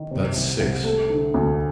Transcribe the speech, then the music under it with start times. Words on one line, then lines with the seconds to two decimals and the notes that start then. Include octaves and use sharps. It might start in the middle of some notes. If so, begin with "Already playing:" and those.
That's six.
Already playing: D#3
0.11 C3
0.35 C2
0.60 C2
0.84 A3
1.10 D3
1.34 D2